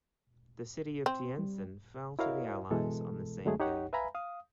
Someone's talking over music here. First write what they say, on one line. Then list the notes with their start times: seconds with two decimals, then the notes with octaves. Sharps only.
The city of Tientsin fell to the Allies on the same day.
1.06 C4
1.38 G3
2.19 E4 F#4 A#4 C#5 D#5 F5
2.71 B2 E3 G#3 A4
3.45 D3 F#3 G#3 A3 G#4
3.60 D#4 G4 C#5 F#5
3.93 B4 E5 F5 G#5 A#5 B5
4.15 F5 D#6